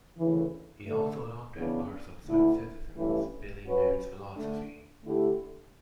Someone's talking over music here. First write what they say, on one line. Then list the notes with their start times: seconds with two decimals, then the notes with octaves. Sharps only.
He also adopted parts of Swiss citizen Billy Meier's philosophy.
0.18 D2 C#3 E3
0.87 D3 A3 D4 A4
1.56 C#3 E3 B3 D4
2.26 D2 D3 A3 E4
2.95 G2 E3 A3 C#4 E4
3.65 F#3 C#4 F#4 B4
4.35 D3 A3 D4
5.05 D3 A3 E4 G4